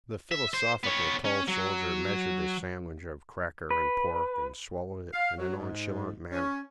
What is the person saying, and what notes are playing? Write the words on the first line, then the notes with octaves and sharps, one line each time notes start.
The philosophical tall soldier measured a sandwich of cracker and pork and swallowed it in a nonchalant manner.
E5
C5
B3 C#5
C#4
F#3
B4
F5
F#3
G#2
C#4